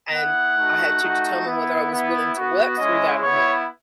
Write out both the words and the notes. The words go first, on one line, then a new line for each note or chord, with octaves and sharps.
and I had to determine whether I was willing to work through that or not.
B3 E4 F#5
A3 D#4 F#4
A3 D#4 F#4
B3 E4
B3 E4
B3 F#4
G#3 C#4 E4 D#5
B3 E4 C#5